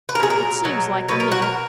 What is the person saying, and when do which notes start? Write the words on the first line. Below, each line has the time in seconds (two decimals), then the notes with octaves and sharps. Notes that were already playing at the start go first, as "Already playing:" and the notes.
It seems like a minute.
0.09 B4
0.15 A#4
0.20 A#2 F#3 G#4
0.30 A#4
0.64 B2 F#3
1.09 B2 F#3 B4
1.20 A#4
1.32 F#4
1.42 A#4